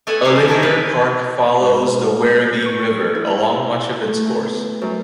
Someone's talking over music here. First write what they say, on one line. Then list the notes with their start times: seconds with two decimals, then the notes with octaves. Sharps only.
A linear park follows the Werribee River along much of its course.
0.07 A3 B3 E4 A4 F#5 G#5
0.25 G3 G#3 E4 A#4 C5 C#5
0.36 F3 A#3
0.48 F3 C4 E4 G#4 A#4 C#5
0.63 D#4 E4 B4 D5
1.60 G#2
2.66 C#6
3.15 E4
4.07 A3
4.34 B3
4.81 F#2